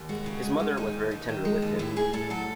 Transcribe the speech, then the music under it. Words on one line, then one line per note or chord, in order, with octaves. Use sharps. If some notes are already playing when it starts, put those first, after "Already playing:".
His mother was very tender with him.
Already playing: D#2
G#3 F#4
C#3
G#3
G#3
D#2 D#4
D#2
D#2
D#3
G#3
D#2
A2 E4
A2 G#4
A2 A4
F#3 A4